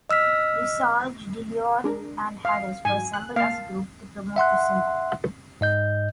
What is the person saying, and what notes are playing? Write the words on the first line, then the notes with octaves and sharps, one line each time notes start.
Visage, DeLeon and Harris were assembled as a group to promote the single.
D#5 E6 F6 B6
G#3 D4 A#4
F5
G#2 F#3 G#5
F#6
A#3 F5 A5
E5 F#5 C6 F#6
G#2 D#5 G6